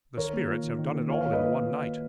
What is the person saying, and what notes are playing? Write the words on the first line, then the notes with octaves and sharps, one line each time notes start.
The Spirits have done it all in one night.
D#3 A#4 C#5
A#3
F4
D#3
D#3
A#3
F4 C#5 F5
C#5 F5
D#3
B4 D#5
A#3